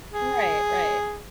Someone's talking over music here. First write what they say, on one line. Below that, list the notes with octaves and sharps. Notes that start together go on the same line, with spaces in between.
Right, right.
G#4